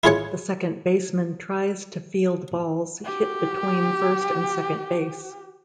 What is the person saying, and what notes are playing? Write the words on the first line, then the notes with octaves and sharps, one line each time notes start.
The second baseman tries to field balls hit between first and second base.
E4 F4 G#4 C#5 F#5
F#4 G4